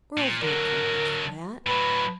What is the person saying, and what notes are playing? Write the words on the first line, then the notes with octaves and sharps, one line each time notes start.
"Girls don't care much for that."
A#2
D3 F#3 A#4
A2 F#3 B4